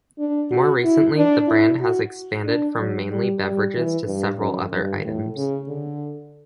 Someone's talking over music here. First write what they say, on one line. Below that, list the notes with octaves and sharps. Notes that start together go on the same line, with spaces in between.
More recently, the brand has expanded from mainly beverages to several other items.
D4
F#4
E4
D4
E4
F#4
D4
F#3
G3
G3
E3
G2
F#2
G2
A2
C#3
D3